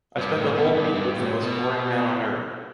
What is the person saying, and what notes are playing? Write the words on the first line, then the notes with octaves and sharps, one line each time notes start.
I spent a whole week with the most boring man on Earth.
G2
A2
B2
G2
G2
A2
B2